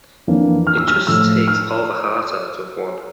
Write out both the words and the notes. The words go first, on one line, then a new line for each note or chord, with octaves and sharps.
It just takes all the heart out of one.
F2 E3 A#3 D4
F6
E6
F6
A2 F3 A3 E6
F6